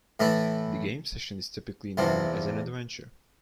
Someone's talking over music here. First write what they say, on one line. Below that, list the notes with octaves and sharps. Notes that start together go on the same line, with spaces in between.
The game session is typically known as an adventure.
A2 E3 A3 E4
E2 C3 F3